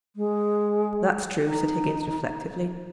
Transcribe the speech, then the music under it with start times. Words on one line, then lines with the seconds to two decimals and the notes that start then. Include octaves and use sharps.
'That's true,' said Higgins, reflectively.
0.16 G#3
1.44 D#4